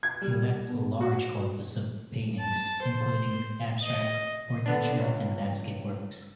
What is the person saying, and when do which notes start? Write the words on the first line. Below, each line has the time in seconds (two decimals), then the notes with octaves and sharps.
He left a large corpus of paintings, including abstract, portraiture and landscape works.
0.03 G#6
0.21 G3
0.68 B2
1.01 F#4
2.40 A5
2.83 C5
3.82 D#5
4.66 D3 B3 D4
5.00 C#2